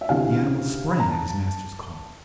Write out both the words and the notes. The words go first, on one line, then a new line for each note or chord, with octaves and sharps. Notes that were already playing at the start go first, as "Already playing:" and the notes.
The animal sprang at his master's call.
E5
D2 C3 E3 F5
B5
A#5
A5